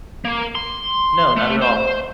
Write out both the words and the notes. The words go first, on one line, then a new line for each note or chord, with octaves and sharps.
No. Not at all.
A#3
C6
A3
C5